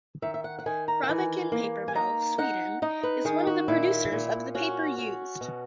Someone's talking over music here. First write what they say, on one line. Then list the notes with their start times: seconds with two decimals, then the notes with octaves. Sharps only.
Braviken Paper Mill, Sweden is one of the producers of the paper used.
0.22 D#3 E5
0.34 E5
0.44 F#5
0.59 F#5
0.66 D#3 G#5
0.88 A#5
1.03 F#5
1.09 E3 G#5
1.52 A#3
1.88 G#5
1.95 D#4 A#5
2.38 D#4 F#5
2.82 D#4 D#5
3.03 B4
3.25 D#3 G#4
3.47 F#4
3.68 A#2 E4
4.12 A#2
4.54 C#4 F#4
4.98 C#4
5.41 B2